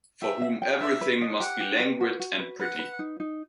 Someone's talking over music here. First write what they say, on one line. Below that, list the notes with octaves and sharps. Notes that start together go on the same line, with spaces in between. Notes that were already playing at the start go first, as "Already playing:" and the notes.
For whom everything must be languid and pretty.
G4 E5
E5
G5
B4 E5
B4
D#5
G4 F#5
G4
B4
F#4
F#4
B4
B4 F#5
B4
D#4
D#4